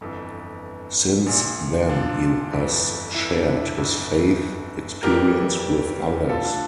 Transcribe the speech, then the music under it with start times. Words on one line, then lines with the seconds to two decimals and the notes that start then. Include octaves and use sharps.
Since then, he has shared his faith experience with others.
0.01 G1 F2 E3
1.26 A#1 A#2
1.89 D4 F4
2.52 G1 F2 E3
3.14 E4
3.31 D4
3.47 E4
3.62 E4
3.78 G1 F2 D3
5.03 F1 F2 E3 G4 A#4
6.29 D2 D3 F4 A4
6.45 D4 F4